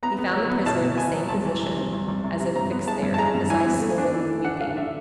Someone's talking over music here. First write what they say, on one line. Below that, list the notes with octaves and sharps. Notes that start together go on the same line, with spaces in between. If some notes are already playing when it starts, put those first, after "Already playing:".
He found the prisoner in the same position, as if fixed there, his eyes swollen with weeping.
B3 A#5
B3
F#3
B3
B2 A5
B2
B3 G#5
F#3
C2 A5
E3
C3
C2
C2
C2
C3
C3
G2 A#5
B3
G#3 A5
G2
A5
G#3 A#5
G2
E3 G#5
B3
A3
D4
E3
A3
D4 F#5
D4 F5
D4 E5